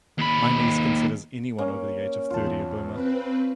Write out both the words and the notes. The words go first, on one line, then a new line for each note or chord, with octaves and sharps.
My niece considers anyone over the age of thirty a Boomer.
D#2 B5
A#3 C#4
E2 F4 A5
C4 B4